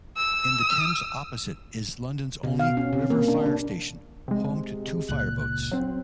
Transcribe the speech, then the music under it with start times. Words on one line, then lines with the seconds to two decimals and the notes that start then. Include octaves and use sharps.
In the Thames opposite is London's only river fire station, home to two fireboats.
0.17 E6
2.43 B2
2.59 F5
2.77 C#4
2.93 C3
3.10 A#3
3.28 D4
3.46 D4
4.28 C3 G#3
5.09 C#2 A#2 F#6
5.71 F#3 C4